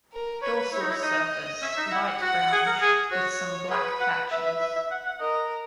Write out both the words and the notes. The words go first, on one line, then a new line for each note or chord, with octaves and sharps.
Dorsal surface light brownish with some black patches.
A#4
B4 C#5
E4 C#5
D#4
E4
D#4 D#5
C#4 E5
D#4
E4 F#5
F#4 F#5
G#4
A#4
G#4
F#4 C#5
G#4 B4
F#5
B4 E5
E5
E5
E5
F#5
F#5
A#4 D#5